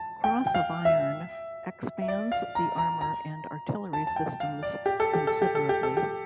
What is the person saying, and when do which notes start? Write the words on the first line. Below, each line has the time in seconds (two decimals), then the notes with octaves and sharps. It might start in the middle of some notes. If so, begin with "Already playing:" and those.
Cross of Iron expands the armor and artillery systems considerably.
Already playing: A5
0.24 G5
0.47 G5
0.55 F5
0.85 E5
2.01 E5
2.08 D5
2.32 F5
2.55 A#5
2.78 A#5
3.01 A#5
3.93 A5
4.07 A5
4.16 G5
4.40 F5
4.63 D5
4.86 G4
5.00 A4
5.13 G4
5.27 A4
5.42 G4
5.55 A4
5.69 G4
5.83 A4
5.97 G4